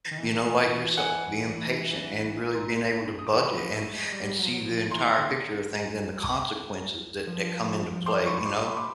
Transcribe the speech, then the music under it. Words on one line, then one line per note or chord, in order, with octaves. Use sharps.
you know, like yourself, being patient and really being able to budget and and see the entire picture a things and the consequences that that come into play, you know?
D#3
E3
F#5 G#5
A#5 C6
D#6
D6
E3 B5 C#6
F3
A3
G#3
G3
F#3
F3
F#3
F3
E3 A#5 C6
D3
F3
C6 D6
B5 C#6
C#6
C6 D6
C6
B5 C#6
D6